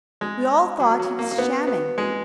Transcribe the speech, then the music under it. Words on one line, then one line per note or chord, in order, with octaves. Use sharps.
We all thought he was shamming.
G#3
F#3
F#3
A#3
A#3
B3
B3
G#3